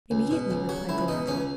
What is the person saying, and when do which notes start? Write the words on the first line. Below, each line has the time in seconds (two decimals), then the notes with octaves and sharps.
"Immediately," replied the landlord.
0.11 C#2
0.31 B2
0.51 C#2
0.69 F#3 F#4
0.89 C#2 E4
1.08 B2 D#4
1.28 C#2 C#4